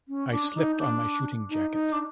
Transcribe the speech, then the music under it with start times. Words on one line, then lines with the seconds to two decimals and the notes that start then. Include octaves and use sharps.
I slipped on my shooting jacket.
0.08 C#4
0.31 D4
0.55 D#4
0.79 D4
1.50 D#4
1.73 D#4
1.93 D4